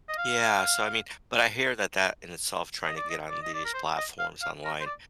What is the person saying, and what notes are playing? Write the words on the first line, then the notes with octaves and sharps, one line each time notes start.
yeah, so, I mean but I hear that that in itself tryna get on these platforms online,
D#5
F5
D#5
D5
D#5
D5
D#5
D5
A#4
C5
D#5
F5
F5
A#4
C5
D5